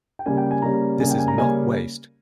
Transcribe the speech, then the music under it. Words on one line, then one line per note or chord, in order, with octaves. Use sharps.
This is not waste.
G5
C#3 G3 A#3 C#4 G#5
G5
G#5
C#3 G3 A#3 C#4 A#5
C#3 G3 A#3 C#4 G#5
G5
G#5
A#5
C#3 G3 A#3 C#4 G#5